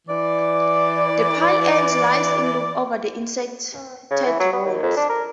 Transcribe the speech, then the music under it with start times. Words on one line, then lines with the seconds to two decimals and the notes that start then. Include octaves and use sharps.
The pile ends lie in loops over the inserted rods.
0.08 E3 D5
4.11 C#3
4.26 E3
4.40 F#3
4.53 B3
4.65 D#2
4.83 F2
4.97 D4
5.09 A#4